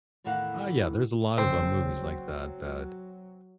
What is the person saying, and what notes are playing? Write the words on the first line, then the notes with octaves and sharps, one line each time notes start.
Ah, yeah. There's a lot of, uh, movies like that that
E2 A2 D#3 E3 F5 F#5
F#1 C#3 C4
F#3